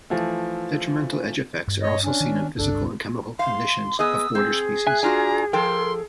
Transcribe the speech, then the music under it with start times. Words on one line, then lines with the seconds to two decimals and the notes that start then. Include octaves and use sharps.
Detrimental edge effects are also seen in physical and chemical conditions of border species.
0.10 E3 F3 A3
1.68 G2
1.82 C#5 D#5
2.04 C#4 D4
2.20 D#3 B3
2.58 G1 C#2 G2 D4 A4
3.39 F5 C6
3.99 B3 G#4 D#5 D#6 E6
4.35 C4 G#4
4.87 E5 G#5 F#6
5.03 D4 F4 F#4 G#5 A#5 F6
5.53 F3 A4 A#4 G5 C6